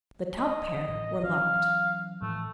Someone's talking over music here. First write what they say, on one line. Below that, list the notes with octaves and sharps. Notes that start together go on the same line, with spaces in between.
The top pair were locked.
D#5
A1
E3 F#3 C#4 F5
A2 E3 F3 A3